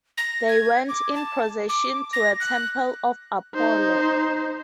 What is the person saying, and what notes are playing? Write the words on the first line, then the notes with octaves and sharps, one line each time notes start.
They went in procession to a temple of Apollo.
A#6
G#6
D6
A5
D6
A#6
F#6
D#4 C5